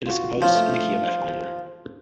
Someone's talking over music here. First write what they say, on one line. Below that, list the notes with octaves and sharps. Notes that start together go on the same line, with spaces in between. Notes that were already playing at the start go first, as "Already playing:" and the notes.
It is composed in the key of F minor.
F4 F#4
F3 C#5 G6
A3
C5